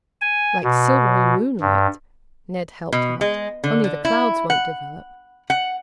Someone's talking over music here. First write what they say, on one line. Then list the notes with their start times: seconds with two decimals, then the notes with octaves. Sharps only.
"Like silvery moonlight," Ned helped out, "only the clouds won't develop."
0.21 G#5
0.64 B2
1.60 G2
2.92 B2
3.21 G#3
3.64 D3
3.84 D3
4.05 E4
4.50 F#5
5.50 F#5